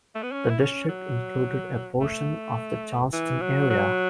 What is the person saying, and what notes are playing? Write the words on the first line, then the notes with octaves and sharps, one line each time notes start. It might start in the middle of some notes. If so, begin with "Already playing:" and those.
The district included a portion of the Charleston area.
A3
B3
C#4
E4
C#4
F#3
A3
E3
F#3
F#3